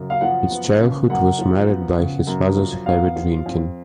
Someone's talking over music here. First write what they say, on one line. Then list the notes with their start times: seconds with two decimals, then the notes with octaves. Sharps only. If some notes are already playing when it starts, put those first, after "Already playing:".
His childhood was marred by his father's heavy drinking.
Already playing: F#2 C#3
0.10 F5
0.21 F3 F#5
0.50 B3
0.80 C#3
1.10 F#2 F#5
1.39 F3
1.68 B3
1.98 C#3
2.27 F#2
2.57 F3
2.86 B3 F5
3.16 F3
3.46 F2